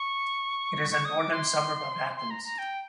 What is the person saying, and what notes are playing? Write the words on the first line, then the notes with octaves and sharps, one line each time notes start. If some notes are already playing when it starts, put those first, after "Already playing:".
It is a northern suburb of Athens.
Already playing: C#6
C#6
D#6
D6
C6
C6
A#5
A#5
G5